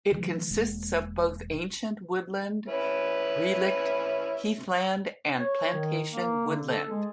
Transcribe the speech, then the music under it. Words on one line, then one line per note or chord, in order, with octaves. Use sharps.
It consists of both ancient woodland, relict heathland and plantation woodland.
D3 E3 F#3 A3
E1 B2 G#3 A#3
C#4 E4 B4
C#5
D#3
A#3
D3
A4
G#3